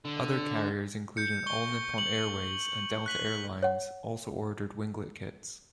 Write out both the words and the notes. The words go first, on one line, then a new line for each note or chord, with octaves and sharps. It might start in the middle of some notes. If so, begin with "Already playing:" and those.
Other carriers including All Nippon Airways and Delta Air Lines also ordered winglet kits.
D3
G6 C#7
C#6 G7
G6 F#7
F#6 B6 F#7
C#5 F#5